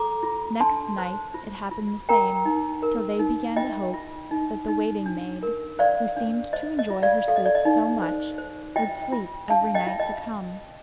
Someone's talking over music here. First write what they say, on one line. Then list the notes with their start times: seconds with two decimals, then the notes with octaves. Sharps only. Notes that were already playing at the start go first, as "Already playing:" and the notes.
Next night it happened the same, till they began to hope that the waiting-maid, who seemed to enjoy her sleep so much, would sleep every night to come.
Already playing: A4 A#5 D6
0.23 F4
0.60 D4 A5 C6
0.98 C5
1.34 F4
1.71 F4
2.09 A#4 G5 A#5
2.45 D#4
2.83 A#4
3.19 D#4
3.56 F4 D#5 G5
3.94 F4
4.31 D#4
4.68 D#4
5.06 D4
5.43 A#4
5.79 C5 D5 F5
6.16 D4
6.53 C5 D#5
6.79 D#5
6.90 F4
7.02 D5 F5
7.28 A4 F5
7.36 D#5
7.46 D5
7.55 D#5
7.65 D#4
8.02 C5
8.38 C5
8.76 F4 D#5 G5
9.12 F4
9.50 D4 F5 A5
9.74 D#5 G5
9.87 F4
10.00 D#5